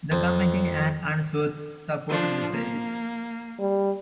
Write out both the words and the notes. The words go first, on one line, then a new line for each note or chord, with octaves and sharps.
The committee and Unsworth supported the sale.
F2
F3 D4
A#3
G3